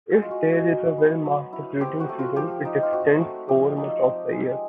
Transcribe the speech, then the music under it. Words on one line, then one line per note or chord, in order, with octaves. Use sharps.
If there is a well-marked breeding season, it extends over much of the year.
G#3 F#4
F4
F#4
G#3
D#4
B3
F#3
E4
C4 G4
F#4
A3
F4
F3 G4
D#4
F4
C4 F#4
A3
F3 G4
D#4
C4
G#3